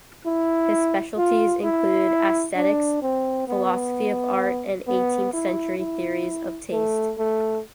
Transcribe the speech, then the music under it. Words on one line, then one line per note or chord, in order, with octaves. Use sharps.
His specialities include aesthetics, philosophy of art and Eighteenth Century theories of taste.
E4
F4
E4
D4
C4
B3
B3
E4
E4
A3
A3